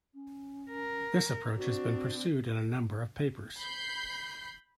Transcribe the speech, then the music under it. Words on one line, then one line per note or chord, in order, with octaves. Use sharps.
This approach has been pursued in a number of papers.
C#4
A#4
C4 D4 F#4
B5 G6 C7